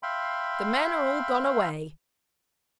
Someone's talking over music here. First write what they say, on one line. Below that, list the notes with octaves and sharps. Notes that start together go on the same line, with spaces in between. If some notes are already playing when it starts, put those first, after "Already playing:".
The men are all gone away.
E5 F5 G5 B5 C6